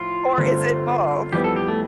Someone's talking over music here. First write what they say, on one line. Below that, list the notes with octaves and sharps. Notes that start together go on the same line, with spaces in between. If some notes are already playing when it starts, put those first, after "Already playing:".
Or is it both?
Already playing: A2 F3 E4 F4
G1 G2 D3 A3 C4
F2 E3 G3 B3 G4
A4
G4
A3